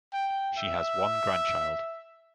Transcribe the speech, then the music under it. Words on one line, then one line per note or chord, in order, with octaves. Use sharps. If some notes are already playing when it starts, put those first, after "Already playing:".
She has one grandchild.
G5
E5